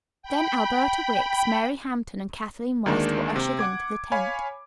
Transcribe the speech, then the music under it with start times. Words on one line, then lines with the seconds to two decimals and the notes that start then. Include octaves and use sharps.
Then Alberta Wicks, Mary Hampton and Kathleen West were ushered into the tent.
0.22 G5 B5
2.86 D2 D#3 G#3 A#3 D4
3.36 C3
3.59 F#5 D6 G#6
4.12 C#5 F5 G#5 B5